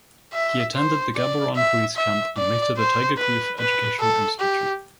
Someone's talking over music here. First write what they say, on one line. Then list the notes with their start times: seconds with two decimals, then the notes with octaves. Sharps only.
He attended the Gaborone Police Camp and later the Tiger Kloof Educational Institute.
0.33 E5
0.75 C5
1.15 D5
1.56 E5
1.96 E5
2.37 D5
2.77 C5
3.18 B4
3.59 B4
4.00 A4
4.40 G4